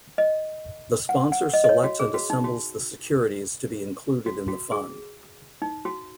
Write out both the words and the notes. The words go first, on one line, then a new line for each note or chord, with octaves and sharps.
The sponsor selects and assembles the securities to be included in the fund.
D#5
F#5
F#5
D#5
D#5
C#5
F#4
G#4
F#4
D#4
F#4
F#4
F#4
G#4
D#4
F#4